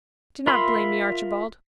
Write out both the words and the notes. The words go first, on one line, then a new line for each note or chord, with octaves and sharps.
Do not blame me, Archibald.
F4 A#4 E5 B5 C6